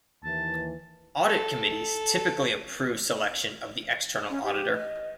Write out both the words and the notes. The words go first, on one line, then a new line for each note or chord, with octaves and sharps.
Audit committees typically approve selection of the external auditor.
D#2 E3 A5
A4
C#4
G4
D#5